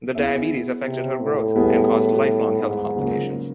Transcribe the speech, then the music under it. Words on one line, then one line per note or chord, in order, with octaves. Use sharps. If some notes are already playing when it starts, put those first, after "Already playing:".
The diabetes affected her growth and caused lifelong health complications.
B3 E4 G#4 C#5 E5
C3
A2
G3 B3 E4 G#4 B4
G#2
C#3 F#3 A#3 C#4 F4